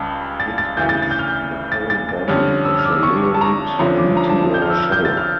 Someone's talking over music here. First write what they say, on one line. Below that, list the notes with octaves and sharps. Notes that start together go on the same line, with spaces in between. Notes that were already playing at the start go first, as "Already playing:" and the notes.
It is the parent body of the Leonid meteor shower.
Already playing: C#2 C#3 G3 A5
A6
A6
D2 C#3 E3 G6
A6
A6
G6
F6
G6
A6
A6
A6
F2 D3 G3 C#4 F6
E6
F6
D6
E6
C#6
A5
A#5
F1 F2 D3 F3 C#4 A#5
D6
A#5
A5
G6
F6
E6
F6
G6
A6
F6